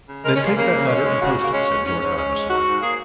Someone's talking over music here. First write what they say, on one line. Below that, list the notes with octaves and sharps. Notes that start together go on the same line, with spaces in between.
"Then take that letter and post it," said George Vavasor.
C#3
G#3 A#4
C#4
G#3
A#3
C#3 A#3
C#3
G#3 C#4
G#3
C#3 F#4
C#3 A#3
G#3 C#4
G#3
G#2 C#4
G#2 C#4
G#3 C#4
G#3
G#2 F#4
G#2
A#3 G#4